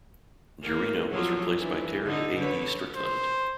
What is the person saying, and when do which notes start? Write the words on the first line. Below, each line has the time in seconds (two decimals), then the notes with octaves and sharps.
Gerena was replaced by Terry A. D. Strickland.
0.62 A#3
1.11 F3 F#3
1.57 E3 D4
2.04 D3 D#4
2.36 D3 B4 C#5
2.96 C5